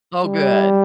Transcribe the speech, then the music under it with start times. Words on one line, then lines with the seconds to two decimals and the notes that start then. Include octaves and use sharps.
Oh, good.
0.25 G3